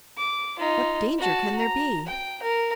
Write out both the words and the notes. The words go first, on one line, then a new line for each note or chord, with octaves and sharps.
"What danger can there be?"
D6
D#4 F4
F#4 A5
A#5
G5
A#4